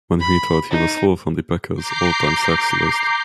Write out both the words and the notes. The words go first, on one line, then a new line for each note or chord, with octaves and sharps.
When he retired, he was fourth on the Packers' all-time sacks list.
B5
D#4
A#5 D6 G6 C7